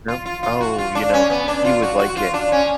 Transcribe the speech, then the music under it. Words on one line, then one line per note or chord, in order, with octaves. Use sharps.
No? Oh, you know, you would like it.
F4
F4
F4
F#4
F4
D4
C#4
B3
D4
F4
F#4
F#4
F4
D4
C#4